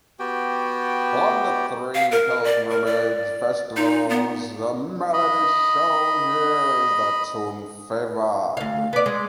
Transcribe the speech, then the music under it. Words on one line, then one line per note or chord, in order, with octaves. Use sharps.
On the three pilgrimage festivals, the melody shown here is the tune favored.
B3 F#4 G4 G5
F5
A#4
D5
A#4
D5
D#4
B3
D#5 B5
D2 F5
B3 D5
G#3